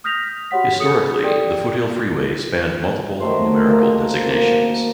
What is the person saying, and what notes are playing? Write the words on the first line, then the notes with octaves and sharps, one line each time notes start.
Historically, the Foothill Freeway spanned multiple numerical designations.
D#6 F6 G6 A#6 B6 F7
F#4 G4 C#5 F#5 B6
G#4 A4 D#6 C#7
G4 A4 D5 G5
D#3 F#3 A3 C5
A#3 A4 A#4
A#3